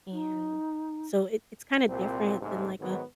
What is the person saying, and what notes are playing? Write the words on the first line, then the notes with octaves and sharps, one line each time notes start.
and so, it it's kinda different than like a
D#4
C2 A#2 C4
A1 G#2 C3 A3
G#2 D#3 F#3 B3